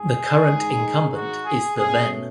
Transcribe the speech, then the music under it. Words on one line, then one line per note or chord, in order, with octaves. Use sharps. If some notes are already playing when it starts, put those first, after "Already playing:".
The current incumbent is The Ven.
Already playing: G#2 G#4
G#2 D#3 G#3 D#4
F#4
G#4
B2 A3 C#4 G#4